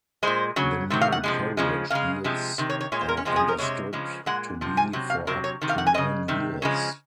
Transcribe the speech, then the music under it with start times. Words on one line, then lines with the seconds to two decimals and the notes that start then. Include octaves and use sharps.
The new carriage deals are understood to be for up to nine years.
0.23 A#2 G#3 C5
0.56 C#3 F#3
0.90 C3 D#3 F#3
1.01 F5
1.12 F#5
1.24 C3 F3 G#3
1.57 C#3 F3 G#3
1.90 C#3 G#3 F5
2.24 C3 F3 G#3
2.58 C3 D#3
2.70 C#5
2.81 C#5
2.92 A#2 G#3 C#5
3.01 C5
3.08 A#4
3.17 C#4
3.25 C3 F3 G#3 C4
3.36 G#4
3.48 A#4
3.58 C3 F3 G#3 C#5
3.93 C#3 F3 G#3
4.26 A#2 G#3 F#5
4.61 C3 F3
4.77 G#5
4.93 C3 F#3
5.10 F5
5.27 C3 F#3 A#4
5.44 C#5
5.61 C3 D#3
5.69 F5
5.78 F#5
5.87 G#5
5.94 C#3 G#3 D#5
6.28 C3 D#3
6.62 C#3 F3 G#3